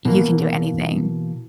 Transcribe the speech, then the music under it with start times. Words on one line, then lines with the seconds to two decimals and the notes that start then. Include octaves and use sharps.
You can do anything,
0.05 B2 E3 A#3